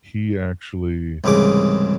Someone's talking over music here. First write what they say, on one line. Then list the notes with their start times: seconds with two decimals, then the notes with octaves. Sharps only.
he actually
1.24 C2 G#2 C#3 E3 D6